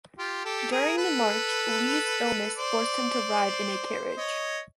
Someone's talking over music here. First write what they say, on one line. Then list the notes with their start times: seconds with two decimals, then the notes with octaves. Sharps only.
During the march, Lee's illness forced him to ride in a carriage.
0.18 F4 G4
0.45 G4 A4
0.71 G#4 A#4
0.98 A4 B4
2.57 C5 D5
4.17 C#5 D#5